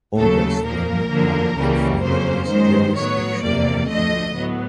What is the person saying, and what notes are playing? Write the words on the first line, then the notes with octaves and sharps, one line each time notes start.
August will not run for filing this jurisdictional appeal.
D#2 C#3 F#3 A3 A4
A#2 F3 A#3 A#4
F#2 D3 F3 A#3
C#2 C#3 E3 G3 A#3
F2 C#3 F#3 A#3 C5
F#2 D#3 G#3 C5
A2 F#3 B3 C#5
E2 C3 F3 A#3 D5
D2 D3 F3 A3 D#5
A2 F#3 B3